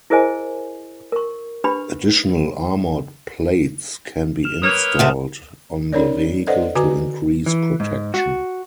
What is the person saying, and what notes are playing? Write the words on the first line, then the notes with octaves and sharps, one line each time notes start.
Additional armoured plates can be installed on the vehicle to increase protection.
E4 G#4 A#4 C5 D#5 G#5
A#4 C#6
D4 G4 B4 B5
F6 E7 F7
A#3 B4 C#5 D#6 F6 E7
C3 A3 F#4
C#4 D#4 A#4 C#5 D5
A4 B4 C5 D5 D#5 F#5
D3 F#4 B4 G#5 D6
E3
G#2
F#4